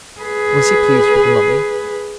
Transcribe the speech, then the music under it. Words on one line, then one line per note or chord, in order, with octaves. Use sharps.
"Was he pleased with the mummy?"
G#4 B4